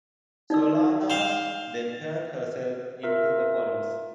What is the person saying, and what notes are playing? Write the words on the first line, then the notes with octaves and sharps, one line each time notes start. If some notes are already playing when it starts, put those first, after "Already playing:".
Solanas then turned herself in to the police.
D#4 D5 E6
C5 F5
F4 A#4 E5